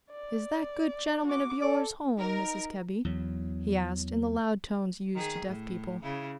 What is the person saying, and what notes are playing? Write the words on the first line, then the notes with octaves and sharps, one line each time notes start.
"Is that good gentleman of yours home, Mrs. Kebby?" he asked, in the loud tones used to deaf people.
D5
F#4 D6
A4 D5 A5
D#4 A#4
E2 F#3
D#3 G#4
A2
C#3 E4